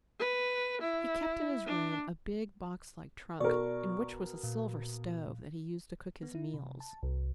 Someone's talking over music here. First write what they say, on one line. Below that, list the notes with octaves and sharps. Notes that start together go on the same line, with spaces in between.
He kept in his room a big box-like trunk, in which was a silver stove that he used to cook his meals.
B4
E4
D4
B2 A#4 D5 C#6
A#2
B3
E4
C3
A5
C2